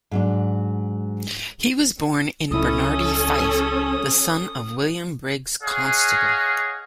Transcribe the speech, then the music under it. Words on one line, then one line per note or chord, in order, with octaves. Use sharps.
He was born in Benarty, Fife, the son of William Briggs Constable.
G#2 F#3 D4
C#2 F#3 C#4 D#4 E4 A4 D#6
G#4 C#5 D#5 F5 F#5